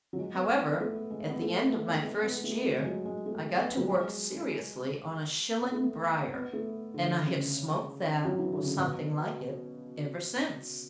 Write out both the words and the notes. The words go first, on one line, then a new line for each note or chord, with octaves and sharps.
However, at the end of my first year I got to work seriously on a shilling briar, and I have smoked that, or something like it, ever since.
F#3
G#3
B3
B3
B3
A3
G#3
B3
A3
B3
A3
G#3
A3
B3
A3
A3
G#3
F#3
G#3
A3
B3
F#3
G#3
B3
A3
B3
A3
D3
C#3
F#3
E3
D3
C#3
B2